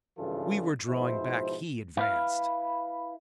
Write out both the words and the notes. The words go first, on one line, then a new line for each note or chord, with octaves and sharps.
We were drawing back, he advanced!
G#1 G2 C#3 E3 F4 A4
G#2 B2 F3 E4 C5
E4 B4 F5